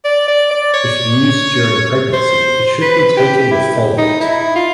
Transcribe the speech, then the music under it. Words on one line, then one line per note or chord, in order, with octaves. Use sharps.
If used during pregnancy it should be taken with folate.
D5
D5
D5
C#5
C5
B4
G4
E4
D#4
E4
F4